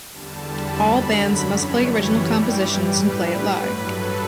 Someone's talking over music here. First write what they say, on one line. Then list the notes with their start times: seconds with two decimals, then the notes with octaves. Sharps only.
All bands must play original compositions and play it live.
0.12 E2 D3 G3 A5
0.46 B5
0.79 F#2 D3 F#3 B5
1.47 F#2 E3 G3 C#5
1.79 B4
2.13 G2 E3 G3 G4
2.46 G4
2.80 A2 G3 B4
3.47 G2 F#3 B4
3.81 A4